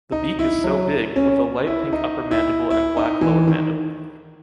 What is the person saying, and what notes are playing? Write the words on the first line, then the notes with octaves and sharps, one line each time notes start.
The beak is so big with a light pink upper mandible and black lower mandible.
D#4
E4
F#3
C#4
E4
D#4
E4
E4
D#4
E3
D#3